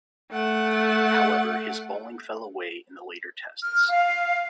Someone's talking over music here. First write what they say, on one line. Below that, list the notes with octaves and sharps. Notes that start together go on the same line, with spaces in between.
However, his bowling fell away in the later Tests.
A3 F#5
F6
F5